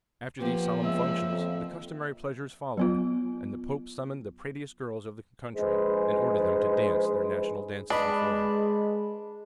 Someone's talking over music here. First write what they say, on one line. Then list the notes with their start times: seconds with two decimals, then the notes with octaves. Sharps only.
After these solemn functions the customary pleasures followed, and the pope summoned the prettiest girls of the country and ordered them to dance their national dances before him.
0.40 F3 A#3 B3 G4
0.84 C#2 E5
1.30 F2
2.77 F#3 B3 F4
5.56 A#1 G#3 D#4 G#4 B4 C5
7.90 G#3 D4 B4 D#5 B5